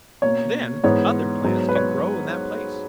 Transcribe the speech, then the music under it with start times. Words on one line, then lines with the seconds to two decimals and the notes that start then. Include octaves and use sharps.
Then other plants can grow in that place.
0.22 B2 A#3 C#4 C#5
0.83 G#2 E3 B3 C#5
1.44 G#2 F#3 B3
1.69 B4
1.76 C#5